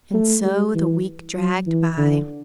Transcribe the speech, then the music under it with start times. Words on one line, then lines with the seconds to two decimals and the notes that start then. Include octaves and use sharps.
And so the week dragged by....
0.14 A3
0.44 G3
0.75 E3
1.37 F#3
1.67 E3
1.98 D3